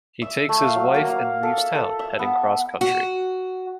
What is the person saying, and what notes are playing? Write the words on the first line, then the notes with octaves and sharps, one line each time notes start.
He takes his wife and leaves town, heading cross country.
E5
A3
F5
F#3
A#3
F5
A4
E5
A4
E5
B3
F#4